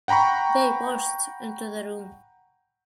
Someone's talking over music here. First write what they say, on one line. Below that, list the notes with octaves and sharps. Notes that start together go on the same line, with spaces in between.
They burst into the room.
F#5 G5 A#5 B5 C#6